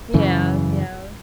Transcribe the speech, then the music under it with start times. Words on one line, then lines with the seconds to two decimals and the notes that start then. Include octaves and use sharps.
Yeah, yeah.
0.14 F#2 C#3 E3